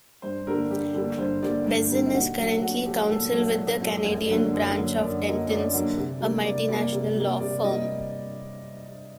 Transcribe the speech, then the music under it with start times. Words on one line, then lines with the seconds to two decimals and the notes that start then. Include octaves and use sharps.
Bazin is currently counsel with the Canadian branch of Dentons, a multinational law firm.
0.22 G2 C5
0.47 D3 G3 A#3 A#4
0.71 G2 G4
0.94 D3 G3 A#3
1.18 G2 C5
1.42 D3 G3 A#3 D5
1.66 G2 D5
1.90 D3 G3 A#3
2.06 D#4
2.14 A#2 F#4
2.38 F#3 A3
2.62 A#2 F#4
2.86 F#3 A3 G4
3.10 A#2 A4
3.33 F#3 A3
3.58 A#2
3.81 F#3 A3
4.05 F#2
4.29 D3 F#3 A#3
4.53 F#2
4.77 D3 F#3 A#3
5.01 F#2 D5
5.25 D3 F#3 A#3 D#5
5.49 F#2 D5
5.73 D3 F#3 A#3
5.97 C3
6.21 G3 A#3
6.44 C3 D5
6.69 G3 A#3 D5
6.92 C3
7.16 G3 A#3
7.40 C3 D5
7.64 G3 A#3 D#5